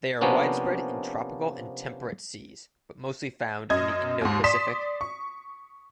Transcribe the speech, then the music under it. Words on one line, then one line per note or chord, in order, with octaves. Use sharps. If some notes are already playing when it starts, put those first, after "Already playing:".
They are widespread in tropical and temperate seas, but mostly found in the Indo-Pacific.
C3 F3 A#3 B3 C#4 D4
F#2 D#5 G#6
D#2 G#2
D5 C6 D#6 B6 E7
C#6